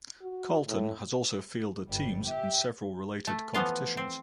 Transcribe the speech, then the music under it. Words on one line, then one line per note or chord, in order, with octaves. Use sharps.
Carlton has also fielded teams in several related competitions.
F#4
A2
G1 G3
G4 E5
A3
E3 F3 B3 F4
C4